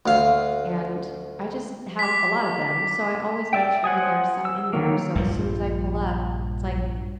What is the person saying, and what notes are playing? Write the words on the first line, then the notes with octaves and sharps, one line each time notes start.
and I just have a lot of them, so I always make sure there's some in there, so as soon as I pull up, it's like
D2 F5
D6 B6
D5 E5 G5
C5 F#5 G#5 D#6
E6
D#3 F#3 A#3
A#1 G2 A#2 F3